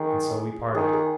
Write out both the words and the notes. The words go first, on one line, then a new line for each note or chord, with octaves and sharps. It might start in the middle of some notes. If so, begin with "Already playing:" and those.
And so we parted.
Already playing: D#3 G#4
D#3 G#4
G#4